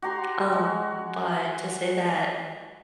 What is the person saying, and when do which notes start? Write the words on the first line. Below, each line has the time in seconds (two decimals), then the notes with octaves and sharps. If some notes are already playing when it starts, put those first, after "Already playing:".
Um, but to say that
0.02 F#4 G4 A#5 C6
0.52 G#3 F#4